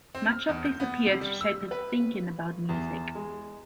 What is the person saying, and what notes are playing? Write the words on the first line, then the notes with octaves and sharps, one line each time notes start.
Much of this appeared to shape his thinking about music.
C4
F6
E2
G6
B3
C3
G3
E6
B4
E2
G#3